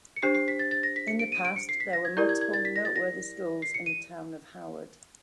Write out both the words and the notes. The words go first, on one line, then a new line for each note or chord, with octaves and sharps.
In the past there were multiple noteworthy schools in the town of Howard.
C#7
D4 G4 C5 C7
C7
B6
A6
A6
A#6
B6
C#7
D7
D#7
D7
C#7
C7
B6
A#6
G#6
E4 G4 A#4 D5 G6
G#6
G#6
A6
B6
A#6
A6
A#6
C7
C#7
D#7